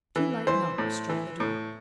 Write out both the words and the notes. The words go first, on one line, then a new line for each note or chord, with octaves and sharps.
Two light knocks struck the door.
E3
E3 C5
A2
E3
A2